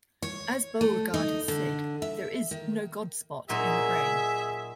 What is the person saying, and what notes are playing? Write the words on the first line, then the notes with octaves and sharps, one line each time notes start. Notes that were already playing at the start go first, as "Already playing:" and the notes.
As Beauregard has said, There is no God spot in the brain.
C#5
A3
D#4
D3
E5
D#3
A#2 F#3 D#4 G#4 E5